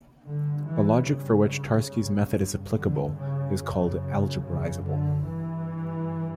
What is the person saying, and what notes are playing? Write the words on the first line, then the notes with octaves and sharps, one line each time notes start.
A logic for which Tarski's method is applicable, is called "algebraizable".
G2 D3
E3
C#3
G2
D3
C#3
F#2 C#3
C#3
D3
G2 E3